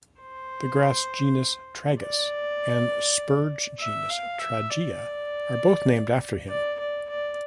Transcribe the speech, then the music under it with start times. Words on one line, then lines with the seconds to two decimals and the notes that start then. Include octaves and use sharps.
The grass genus "Tragus" and spurge genus "Tragia" are both named after him.
0.20 C5
2.00 D5
3.80 E5
4.10 F5
4.39 E5
4.69 D5
6.49 D5
6.79 D5
7.09 D5